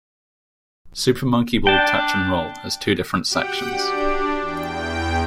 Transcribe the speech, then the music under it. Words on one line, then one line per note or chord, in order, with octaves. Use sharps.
Super Monkey Ball Touch and Roll has two different sections.
D4 G5 A5
F#4 G4 F#5 G5 G6
D4
E2 G5